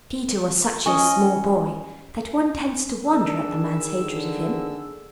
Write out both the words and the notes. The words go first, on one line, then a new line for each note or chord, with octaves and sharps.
Peter was such a small boy that one tends to wonder at the man's hatred of him.
C#4 D#5
D#3 D4 G#4 E6
D3